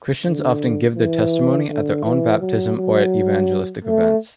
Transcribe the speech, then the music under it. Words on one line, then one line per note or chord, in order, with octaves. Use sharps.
Christians often give their testimony at their own baptism or at evangelistic events.
D3
E3
D3
E3
F#3
F#3
A3